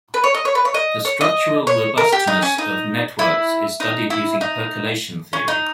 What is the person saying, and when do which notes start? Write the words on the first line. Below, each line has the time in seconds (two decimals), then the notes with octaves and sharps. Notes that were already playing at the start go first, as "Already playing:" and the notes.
The structural robustness of networks is studied using percolation theory.
0.14 B4
0.24 C#5
0.34 D#5
0.45 C#5
0.55 B4
0.65 C#5
0.74 D#5
1.05 C#5
1.21 D#5
1.67 C#5
1.98 A#4
2.12 G4
2.27 D#4
2.42 C#4
2.58 D#4
3.19 E4
3.80 D#4
4.10 E4
4.41 D#4
5.33 C#4
5.48 D#4